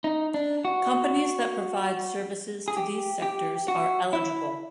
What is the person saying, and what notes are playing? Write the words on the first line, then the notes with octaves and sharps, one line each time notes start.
Companies that provide services to these sectors are eligible.
D#4
D4
F#4
G#4
G4
G4
F#4
E4